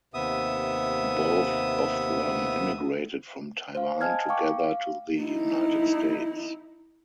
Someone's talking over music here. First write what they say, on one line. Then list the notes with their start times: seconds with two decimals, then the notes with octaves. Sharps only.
Both of them immigrated from Taiwan together to the United States.
0.14 D#2 C3 B3 E5 D#6
3.75 C5 F5
4.01 D#5 G#5 A5 F6 G#6
4.29 F5 G5 C#6 D6
4.59 F5
5.20 D#4 E4